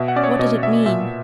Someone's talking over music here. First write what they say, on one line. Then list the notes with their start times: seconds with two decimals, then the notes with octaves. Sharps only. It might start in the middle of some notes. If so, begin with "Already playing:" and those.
What did it mean?
Already playing: B2 E5
0.08 F#5
0.16 C#4 D5
0.24 C#5
0.39 B2 D#5
0.63 B2 E5
0.86 A#2 E5